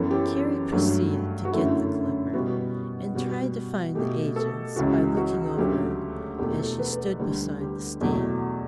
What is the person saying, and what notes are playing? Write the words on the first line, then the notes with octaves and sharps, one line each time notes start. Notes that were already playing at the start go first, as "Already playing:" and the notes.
Carrie proceeded to get the "Clipper," and tried to find the agents by looking over it as she stood beside the stand.
Already playing: F#2 E3 B3 A4
G4
G2 F#3 A3
F#4
F#2 D3 A3 E4
B2 G3 B3 F#4
B2 G3 B3 F#4
B2 A3 G4
A4
C#2 C#3 E3 F#4
F#4
D2 C#3 F#3 A3 G4
E2 B2 A3 G4
A4
B4
D2 D3 G3
G4
E2 B2 F#3 A3